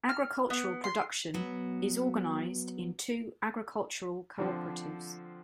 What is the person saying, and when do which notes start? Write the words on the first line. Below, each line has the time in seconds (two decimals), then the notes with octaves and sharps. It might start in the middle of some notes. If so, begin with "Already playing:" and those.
Agricultural production is organised in two agricultural cooperatives.
0.09 F6
0.50 B3
0.84 C6
1.34 F#3 B3
4.38 D3 F3 C4